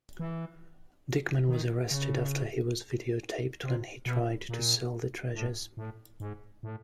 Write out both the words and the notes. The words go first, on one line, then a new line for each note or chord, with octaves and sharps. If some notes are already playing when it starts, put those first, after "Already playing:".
Dikmen was arrested after he was videotaped when he tried to sell the treasures.
E3
D#3
C#3
C3
B2
A#2
A2
A2
G#2
A2